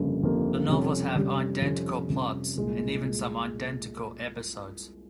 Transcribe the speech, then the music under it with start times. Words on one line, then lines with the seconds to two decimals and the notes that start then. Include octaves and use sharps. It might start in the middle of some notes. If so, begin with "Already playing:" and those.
The novels have identical plots and even some identical episodes.
Already playing: G1 F2 C#3 G3 A#3
0.22 G1 F2 C#3 G3 A#3
0.69 F2 C3 G3 C#4 G4
1.15 F2 C3 G3 C#4 G4
1.62 F2 C3 G3 C#4
2.09 F2 C3 G3 C#4
2.56 C2 A#2 G#3
3.04 A#2 G#3